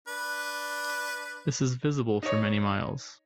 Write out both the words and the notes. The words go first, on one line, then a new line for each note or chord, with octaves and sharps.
This is visible for many miles.
D4 B4
D#4 C#5